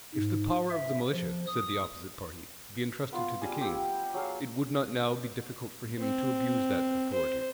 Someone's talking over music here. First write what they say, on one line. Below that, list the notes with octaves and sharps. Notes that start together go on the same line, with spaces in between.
If the power of the militia, said the opposite party, be intrusted to the king, it would not now be difficult for him to abuse that authority.
G#2
E5
F3
D#6
B3 F4
G3 G#4
G4 G5 E6
F#3 G#4 F5
C4
C5